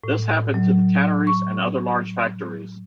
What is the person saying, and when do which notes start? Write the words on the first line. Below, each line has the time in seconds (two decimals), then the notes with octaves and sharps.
This happened to the tanneries and other large factories.
0.04 A2
0.54 F#3
1.27 C#6